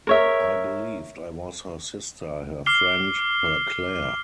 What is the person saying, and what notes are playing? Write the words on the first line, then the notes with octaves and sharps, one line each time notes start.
I believed I was her sister, her friend, her Claire.
A#4 C#5 E5
D6 F6 C7 G7